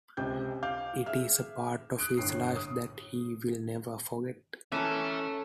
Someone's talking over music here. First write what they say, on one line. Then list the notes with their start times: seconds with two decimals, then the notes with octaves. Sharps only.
It is a part of his life that he will never forget.
0.17 C#2 C3 G5 G6
0.63 F5 D6 G6
1.06 G#4 E5 F6
1.99 D#6 F#6 D7
2.17 G1 A2 C7
2.56 D#6
4.72 E3 C#4 A4 A#4 E5 A5